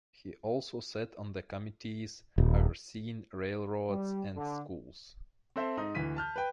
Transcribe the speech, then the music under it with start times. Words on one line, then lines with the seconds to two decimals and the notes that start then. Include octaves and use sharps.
He also sat on the committees overseeing railroads and schools.
2.38 D#1
3.90 G3
4.35 D3
5.56 C4 A4 C5 E5
5.77 G#2 D#4 D#6
5.95 D2 E3 B6 D#7
6.16 A5 F6 G6
6.36 B4 G5